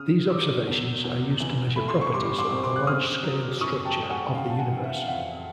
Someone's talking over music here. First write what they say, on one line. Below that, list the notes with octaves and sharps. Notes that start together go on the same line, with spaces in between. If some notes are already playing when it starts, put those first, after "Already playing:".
These observations are used to measure properties of the large-scale structure of the universe.
Already playing: C#3 D#6 F6
F#3 D6 E6
E2
E2
E3
A3 B5
C6
C#6
G2 C6 D6
C6 D6
C4
C6 D6
F#6
C#3 D#6 F6
F#3
F#2 C#6 D#6
G5 A5
A3
F#5 G#5
C#3 F5 G5
A5
F#5 G#5
E3
E5 F#5
F5
F2 E5 F#5